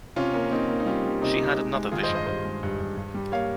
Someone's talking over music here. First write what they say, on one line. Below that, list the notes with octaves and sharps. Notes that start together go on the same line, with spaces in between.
She had another vision.
C3 C#4 F4
A#3 C#4
A#3 C4 D#4
A#3
D#4
G3 C#4 F4
G3
C3 D#4 G4
C3
G#3
G#3
D#3 F4 G#4
C5 D#5
G2
C5 D#5
G2 C5 D#5
G#3
G2
G2
G2
G3
A#3 C#5 F5